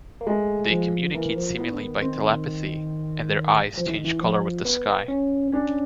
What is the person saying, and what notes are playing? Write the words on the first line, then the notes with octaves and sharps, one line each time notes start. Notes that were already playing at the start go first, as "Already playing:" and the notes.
They communicate seemingly by telepathy, and their eyes change colour with the sky.
A#3
G#3 A3
F3
E3 A#3
F3
E3 B3
D3
D#3
C4
F3
E3
D#3
E3
F3
B3
C#4
C#4 D4